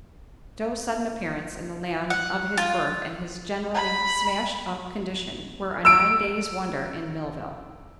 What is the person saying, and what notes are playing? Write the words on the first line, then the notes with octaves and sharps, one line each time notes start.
Joe's sudden appearance in the land of his birth and his generally smashed up condition were a nine days' wonder in Millville.
F#5
F4
B5
E6 D7